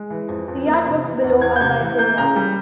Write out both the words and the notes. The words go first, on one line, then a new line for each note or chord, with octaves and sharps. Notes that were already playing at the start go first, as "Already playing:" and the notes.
The artworks below are by Goya.
Already playing: G#3
E3
F2
F2
A#3
C3
E3
E2
E2 G#6
G6
C3 G#6
E3
A#3 G6
C#3 A#5
G3